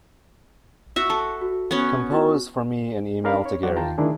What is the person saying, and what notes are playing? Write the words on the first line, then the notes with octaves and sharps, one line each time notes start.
Compose for me an email to Gary.
F#4 E5 E6
A4 A5
F#4
B3 C#4
E4 F#4
C#4 D#4 A#4 D5 F5 B5
C#5
F#3 C4 F#4 D5
D#3 F4 G5 A5 A#5
D2 D#3 D4 E4 G#4